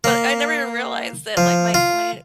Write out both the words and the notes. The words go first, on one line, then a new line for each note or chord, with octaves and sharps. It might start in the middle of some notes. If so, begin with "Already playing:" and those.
But I never even realized that, like my my
A#3
F3
F4